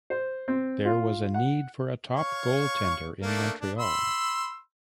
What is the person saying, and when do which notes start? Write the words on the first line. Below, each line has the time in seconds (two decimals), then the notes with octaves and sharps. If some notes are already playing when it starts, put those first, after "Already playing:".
There was a need for a top goaltender in Montreal.
0.10 C5
0.48 C4
0.85 F4
1.34 F#5
2.16 C#5 F5 C#6
3.21 A3 A#3 D4
3.61 D4
3.79 B5 C6 E6